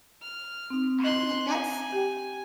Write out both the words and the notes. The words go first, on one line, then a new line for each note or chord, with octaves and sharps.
I'm like "That's
F6
C4 D#4
D#5 C6 F#6
G#5
G4 G5